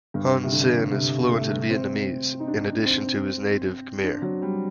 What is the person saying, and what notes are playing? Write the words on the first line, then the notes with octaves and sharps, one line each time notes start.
Hun Sen is fluent in Vietnamese, in addition to his native Khmer.
G2
C3
D3
C3
A3
C4
D#4
D4
C4
D4
F#3
G3